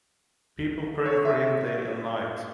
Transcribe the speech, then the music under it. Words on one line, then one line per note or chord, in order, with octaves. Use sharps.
People prayed for him day and night.
C#5
E5